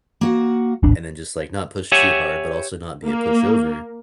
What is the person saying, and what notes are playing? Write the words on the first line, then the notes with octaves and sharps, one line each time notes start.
and then just, like, not push too hard, but also not be a pushover.
A#3 F#4 F#5
D1 G#1 D4
G4 C#5 E5 F#5 G#5
A#3